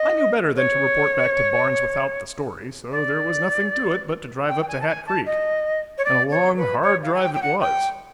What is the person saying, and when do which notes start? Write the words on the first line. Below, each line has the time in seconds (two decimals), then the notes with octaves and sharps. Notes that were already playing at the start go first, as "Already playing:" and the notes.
I knew better than to report back to Barnes without the story, so there was nothing to it but to drive up to Hat Creek, and a long, hard drive it was.
Already playing: D#5
0.55 C#5
2.91 D5
4.48 G5
4.61 G5
4.67 G#5
4.80 A5
4.87 G#5
5.06 A5
5.26 D#5
5.97 C#5
6.04 D5
6.30 C#5
6.56 B4
6.82 C#5
7.02 F5
7.13 G#5
7.22 G5
7.33 G5
7.41 F#5
7.60 G5